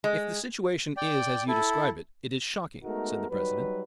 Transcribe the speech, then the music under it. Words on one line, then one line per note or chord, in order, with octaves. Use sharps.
"If the situation is as you describe it, it is shocking," said the President'.
G#3
D5 G5
E4 A4
G#3 A3 B3 D#4 F#4 A#4
F#3 G3 D#4 B4